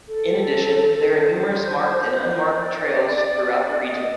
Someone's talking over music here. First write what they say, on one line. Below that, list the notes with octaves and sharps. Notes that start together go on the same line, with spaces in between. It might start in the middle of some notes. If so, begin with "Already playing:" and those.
In addition, there are numerous marked and unmarked trails throughout the region.
A4
C5
D5
D#5